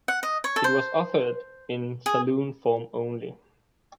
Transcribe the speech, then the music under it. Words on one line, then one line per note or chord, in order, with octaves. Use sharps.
It was offered in saloon form only.
F#5
D#5
C#5
A4
C5
G#4